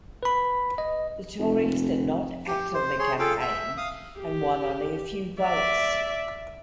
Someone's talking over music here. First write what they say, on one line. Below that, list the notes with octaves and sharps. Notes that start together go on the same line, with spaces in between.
The Tories did not actively campaign and won only a few votes.
B4 B5
D#5
F1
G4
C5
G#4 C#5 C6
F4 G#4 A4 F5 G5
E5
F5 D#6
G4
D5 E5